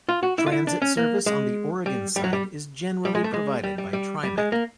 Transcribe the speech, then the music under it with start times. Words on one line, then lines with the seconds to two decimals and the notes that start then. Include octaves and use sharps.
Transit service on the Oregon side is generally provided by TriMet.
0.09 F4
0.23 F#4
0.38 E4
0.46 F4
0.52 E4
0.67 D4
0.82 C#4
0.97 A#3
1.26 G#3
1.86 G3
2.16 G3
2.24 F#3
2.33 G3
3.05 G3
3.15 G#3
3.24 A3
3.34 G#3
3.64 G3
3.78 G3
3.93 G3
4.23 G3
4.38 G#3
4.52 A#3